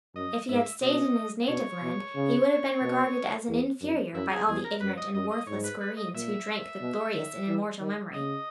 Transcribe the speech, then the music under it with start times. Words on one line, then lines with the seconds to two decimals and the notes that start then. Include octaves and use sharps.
If he had staid in his native land he would have been regarded as an inferior by all the ignorant and worthless squireens who drank the glorious and immortal memory.
0.15 F#2 D#5
0.49 G#2 E5
0.82 B2 D#5
1.48 B2 C#5
1.82 B2
2.15 C#3
2.82 B2
3.48 E2
3.81 F#2
4.14 F#2 E4
4.31 G#4
4.48 E2 G#4
4.64 A#4
4.80 F#2 B4
4.97 D#5
5.14 F#2 D#5
5.31 D#5
5.47 G#2 C#5
5.64 B4
5.81 B4
5.97 D#5
6.14 A#2 E5
6.80 B2
7.14 D#3
7.47 E3
7.80 D#3
8.14 C#3 D#5